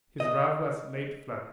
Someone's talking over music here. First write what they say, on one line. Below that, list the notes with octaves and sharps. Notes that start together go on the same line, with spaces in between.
His ruff was laid flat.
D#5